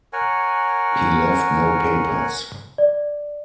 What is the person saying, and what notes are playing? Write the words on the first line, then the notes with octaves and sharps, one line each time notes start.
He left no papers.
A#4 C#5 F#5 G#5
D5